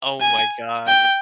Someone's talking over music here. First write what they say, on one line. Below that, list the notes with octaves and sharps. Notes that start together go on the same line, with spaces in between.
Oh my god.
G#5
G5